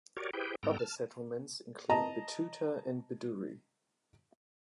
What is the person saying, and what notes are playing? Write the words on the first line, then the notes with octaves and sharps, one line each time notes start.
Other settlements include Betoota and Bedourie.
F#4 G4 A#4 C#5 D5
E4 G4 G#4 B4 C5 G5
G#2 G3 B3 A4 G5 A#5
A5 F6
D#5 A5 A#5